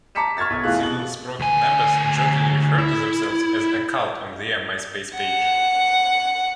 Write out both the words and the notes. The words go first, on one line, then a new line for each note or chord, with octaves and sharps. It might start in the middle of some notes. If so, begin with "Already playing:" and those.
Silver Sprocket members jokingly refer to themselves as a cult on their Myspace page.
A5 A#5 D6 B6 C#7 E7
C#6 F6 G#6 A6 B6
B1 G#6
E2 A3 F4 G#4 F5 F#6
B2 F#7
D2 G#5
E4
F#5